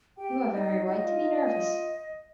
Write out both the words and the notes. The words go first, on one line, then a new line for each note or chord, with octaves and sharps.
You have every right to be nervous.
G4 G5
D#4 D#5
F4 D#5